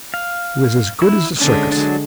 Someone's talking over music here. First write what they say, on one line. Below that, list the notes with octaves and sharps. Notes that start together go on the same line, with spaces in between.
It was as good as a circus!
F5
E4
D3 G#3 C#4 D4
F#3 D4